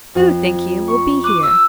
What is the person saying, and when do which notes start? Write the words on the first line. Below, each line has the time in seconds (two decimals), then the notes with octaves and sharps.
Who, think you, will be here?'
0.15 F2
0.88 C#6
1.24 D6 F#6 D#7
1.42 E6